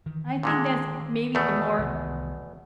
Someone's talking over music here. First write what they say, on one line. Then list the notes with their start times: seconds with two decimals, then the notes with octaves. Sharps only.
I think that's maybe the more
0.06 D#3 E3
0.43 A#2 D3 G#3
1.35 E2 B2 A3
1.78 C2 D#3 B3